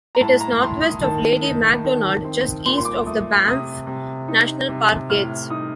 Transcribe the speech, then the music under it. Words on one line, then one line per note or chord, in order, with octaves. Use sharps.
It is northwest of Lady Macdonald, just east of the Banff National Park gates.
A#5
A2 A5
A#5
A2 C6
D#6
D#3 A5
D#4
D#3
C4
A#2 C6
C6
D6
A3 D#6
C3 D#6
C3
D#4
C3
A2 F6
D#4 D#6